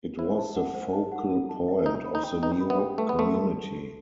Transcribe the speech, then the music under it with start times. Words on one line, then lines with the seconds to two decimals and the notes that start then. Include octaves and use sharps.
It was the focal point of the new community.
0.19 E4 C5
0.38 A5
0.56 F#5
0.75 C5
0.93 A5
1.12 F#5
1.31 A4
1.49 A5
1.68 E5
1.86 D#4 C5
2.06 B5
2.15 D#4
2.24 G5
2.43 D#4 B4
2.61 B5
2.70 B3
2.79 G5
2.98 A3 B4
3.09 B3
3.17 A3 C6
3.35 A5
3.54 A4
3.73 A4